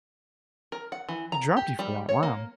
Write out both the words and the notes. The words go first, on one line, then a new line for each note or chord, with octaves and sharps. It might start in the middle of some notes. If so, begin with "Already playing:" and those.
He dropped you for that, wow.
A#4
F#5
E3
A#5
G4
G3
C#5
A#3